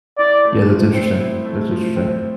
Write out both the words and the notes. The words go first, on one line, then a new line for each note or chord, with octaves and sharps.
Yeah, that's interesting. That's interesting.
E4 D5
A3
F3
C4
E4
A3
F3
C4